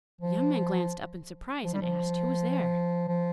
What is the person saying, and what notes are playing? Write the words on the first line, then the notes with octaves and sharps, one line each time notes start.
The young man glanced up in surprise, and asked who was there.
F3
F3
G3
F3
F3